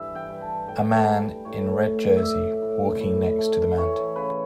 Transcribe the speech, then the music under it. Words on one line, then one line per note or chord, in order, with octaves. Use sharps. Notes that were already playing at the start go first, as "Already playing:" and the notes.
A man in red jersey walking next to the mountain.
Already playing: G2 E3 E5
G5
G2
A5
A2 G5
A5
G3
G5
A2 C#5
A2
E5
A2 D5
A2
A2
A3
E3 C#5
C#3 B4